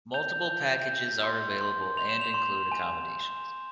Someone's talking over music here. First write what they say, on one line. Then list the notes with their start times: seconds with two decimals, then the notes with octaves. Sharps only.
Multiple packages are available and include accommodations.
0.14 G6 F7
0.51 G6
0.87 G6
1.24 C6
1.61 C6
1.97 C6 F7
2.09 E7
2.21 F7
2.34 C6
2.72 G#5